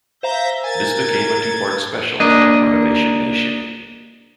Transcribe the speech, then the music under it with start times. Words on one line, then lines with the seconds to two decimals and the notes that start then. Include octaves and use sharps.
This became a two-part special on "Renovation Nation".
0.23 C5 E5 F5 A#5 G6 A#6
0.64 A#4 G#5 G#6 A6
2.20 A#3 D4 D#5